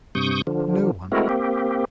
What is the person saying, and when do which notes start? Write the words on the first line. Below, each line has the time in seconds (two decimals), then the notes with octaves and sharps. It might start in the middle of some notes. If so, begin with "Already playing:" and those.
"No one."
0.15 G2 C3 C#6 D#6 G6
0.47 D3 F3
1.12 G#3 A3 C4 E4 F#4 A#4
1.29 A#3 C4 G4